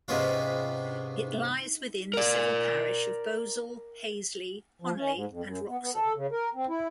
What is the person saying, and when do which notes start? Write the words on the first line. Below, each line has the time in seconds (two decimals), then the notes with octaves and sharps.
It lies within the civil parish of Beausale, Haseley, Honiley and Wroxall.
0.08 G#2 C3 G#3 B3 C#4 F4
2.14 A#4 D5
4.82 F3
4.97 C#4
5.13 G#2
5.30 F2
5.44 F#2
5.68 B3
5.82 B3
5.94 A4
6.16 C#3
6.32 A#4
6.55 C4
6.69 E4